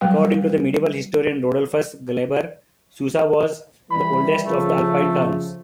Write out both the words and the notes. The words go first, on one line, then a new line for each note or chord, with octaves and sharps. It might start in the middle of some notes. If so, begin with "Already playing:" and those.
According to the medieval historian Rodulfus Glaber, Susa was "the oldest of Alpine towns".
F#3 G3 G5
E3 G3 B5
C#3 F3 A3